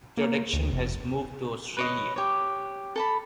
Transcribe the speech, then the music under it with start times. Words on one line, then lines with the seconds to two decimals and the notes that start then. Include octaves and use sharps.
Production has moved to Australia.
0.17 A#3
0.53 D2
0.72 F1
1.77 B4 C#5 D#5
2.16 G4 C#5
2.96 A4 A5 B5